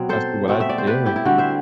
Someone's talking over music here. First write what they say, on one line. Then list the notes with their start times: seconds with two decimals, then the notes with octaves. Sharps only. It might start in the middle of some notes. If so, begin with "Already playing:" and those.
that's to what I yeah.
Already playing: B2 F#3 C4
0.09 A4 C5
0.48 B2 A3 C4
0.60 E5
0.69 D5
0.78 C5
0.87 G4 B4
1.06 E4 G4
1.16 E4
1.25 D3 G3 C4 F#4
1.38 C5 E5